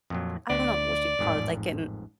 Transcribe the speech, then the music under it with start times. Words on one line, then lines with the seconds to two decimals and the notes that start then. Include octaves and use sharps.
I don't know what you call it, like in
0.10 F2 A#2 F#3
0.50 D2 D5
1.19 A1 F2 G#2